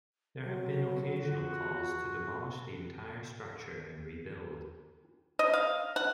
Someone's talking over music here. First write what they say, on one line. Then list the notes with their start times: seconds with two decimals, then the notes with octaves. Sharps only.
There have been occasional calls to demolish the entire structure and rebuild.
0.45 F#3
1.17 F4 F#4
5.39 D#5
5.54 F5
5.96 F#5